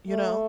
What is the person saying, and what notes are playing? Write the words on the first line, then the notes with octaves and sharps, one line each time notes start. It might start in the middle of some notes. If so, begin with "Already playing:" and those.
you know.
A3